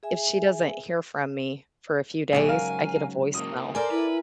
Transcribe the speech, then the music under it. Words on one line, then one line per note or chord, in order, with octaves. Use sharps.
if she doesn't hear from me for a few days, I get a voicemail,
G#4 E5 G#5
A#1 G#2 C#3 F#3 G#5
A#4 F5
F#2 A#3 D#6
A4 A#4 C5 D5 G#5
E4 B4